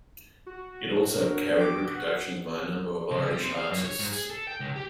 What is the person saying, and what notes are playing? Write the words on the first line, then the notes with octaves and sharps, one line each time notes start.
It also carried reproductions by a number of Irish artists.
F#4
D4 A#4 C#5
G5 D6
F#5
C#3
G3
C4
F5
F#2
C#5
G#2
G#4
A4
G5
C#2
G4